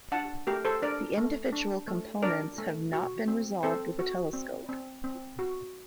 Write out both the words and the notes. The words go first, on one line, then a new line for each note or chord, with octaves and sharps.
The individual components have not been resolved with a telescope.
D4 F#5 A5
A3 G4 A#4
A4 C5
D4 A#4 D5
A3
D4
A3
D4 A#4 D5
A3
F#4
C4
C4 A4 C5
F#4
C4
C4
C4
F#4